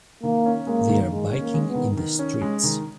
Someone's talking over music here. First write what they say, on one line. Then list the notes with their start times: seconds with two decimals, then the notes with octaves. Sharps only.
They are biking in the streets.
0.23 D#3 A#3
0.46 C#4
0.67 G#3 A#3
0.89 D#3
1.11 D#3 G#3
1.32 C#4
1.40 A#3
1.54 G#3
1.68 B3
1.75 D#3
1.97 D#3
2.19 C#4
2.41 G#3
2.64 D#3